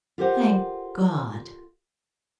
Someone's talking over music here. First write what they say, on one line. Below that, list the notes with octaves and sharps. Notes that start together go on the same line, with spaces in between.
"Thank God!"
F4 G4 A4 A#4 C5 F#5